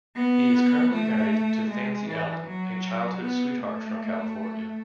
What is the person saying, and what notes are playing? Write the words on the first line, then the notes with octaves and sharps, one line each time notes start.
He is currently married to Fancy Allen, a childhood sweetheart from California.
B3
A3
G#3
E3
F#3
B3
A3